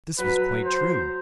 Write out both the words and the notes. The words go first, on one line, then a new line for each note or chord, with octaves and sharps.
This was quite true.
F#3 F#4 B4
C5